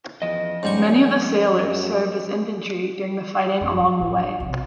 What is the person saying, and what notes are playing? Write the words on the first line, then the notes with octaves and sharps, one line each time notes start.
Many of the sailors served as infantry during the fighting along the way.
E2 F3 D#5
G#2 G3 C#4 C#6
F#2
F#2 G3
G2
A2 E4
D4
B1 C3